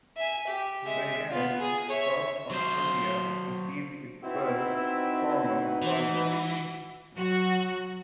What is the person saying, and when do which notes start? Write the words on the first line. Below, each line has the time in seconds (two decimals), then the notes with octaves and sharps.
Under Young, South Australia received its first formal parliament.
0.17 E5 G#5
0.47 G4
0.86 G#3 E5
1.31 B3 F4
1.60 G#4
1.89 C#5 E5
2.51 F#3 C5
4.23 C4 D#4 E4 F#4 B4
5.82 E3
7.17 F#3 F#4